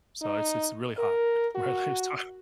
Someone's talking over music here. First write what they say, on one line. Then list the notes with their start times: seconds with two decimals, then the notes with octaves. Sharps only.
so, it's it's really hot where I live, so
0.21 D#4
0.98 A#4
1.55 F#4